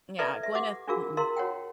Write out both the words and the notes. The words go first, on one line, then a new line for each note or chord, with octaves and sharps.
Yeah, Gwyneth. Mm-mm.
E4 A4 B4 D5 E5
E5
G4 F#5 D6
D4 F4 F#4 G#4 A#4 F5
E4 A#4 F5 A#5 C6
F#4 C#5 F#5 G5